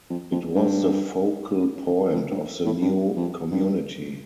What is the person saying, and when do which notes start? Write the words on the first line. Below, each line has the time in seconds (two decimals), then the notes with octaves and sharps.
It was the focal point of the new community.
0.10 F2
0.32 F2
0.55 G2
2.14 F2
2.31 G2
2.66 A2
2.82 G2
3.16 F2
3.51 G2